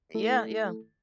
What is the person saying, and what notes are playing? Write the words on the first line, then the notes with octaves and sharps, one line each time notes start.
Yeah, yeah.
A3 E4 A4